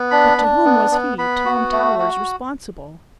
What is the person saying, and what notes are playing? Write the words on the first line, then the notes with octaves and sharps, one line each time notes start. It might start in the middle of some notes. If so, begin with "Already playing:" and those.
But to whom was he, Tom Towers, responsible?
Already playing: B3
D4 B5
D4
B3
B3
B3 B5
F#4
A3
F#4